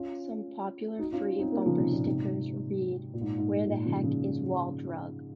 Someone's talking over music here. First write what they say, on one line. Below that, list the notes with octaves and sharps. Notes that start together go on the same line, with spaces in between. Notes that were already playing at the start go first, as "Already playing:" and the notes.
Some popular free bumper stickers read Where the heck is Wall Drug?
Already playing: C#4 F4
D#4 F#4
C#4 F4
C4 D#4
A#3 C#4
C#3 F3
C3 D#3
A#2 C#3
G#2 C3
A#2
G#2
G#2
A#2
C#3 F3
C#3 F3